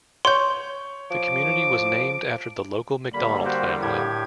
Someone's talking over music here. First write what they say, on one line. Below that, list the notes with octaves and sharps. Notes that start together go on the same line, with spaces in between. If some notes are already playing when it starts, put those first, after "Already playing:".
The community was named after the local McDonald family.
C#5 C6 G6
F3 D6
D3 G3 A#3 B5
F#4 G4 C5
A2 G4 G#6